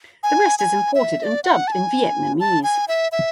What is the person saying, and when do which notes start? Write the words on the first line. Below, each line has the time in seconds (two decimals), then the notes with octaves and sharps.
The rest is imported and dubbed in Vietnamese.
0.23 G#5
0.59 G#5
0.95 E5
1.19 E5
1.24 D5
1.44 F#5
1.68 A5
1.72 G#5
2.40 A5
2.63 G#5
2.88 E5
3.12 E5